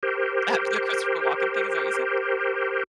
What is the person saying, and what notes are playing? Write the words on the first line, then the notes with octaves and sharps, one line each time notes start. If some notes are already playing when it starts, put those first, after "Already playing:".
Uh, the Christopher Walken thing, is that what you said?
G4 A#4 C5